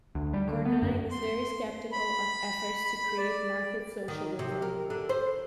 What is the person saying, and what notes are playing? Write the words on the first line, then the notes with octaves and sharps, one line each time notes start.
Kornai is very skeptical of efforts to create market socialism.
D2
G3
D3
B3
F#2
C6
B5
B5
D5
D#3
C3
A#4
D3
C5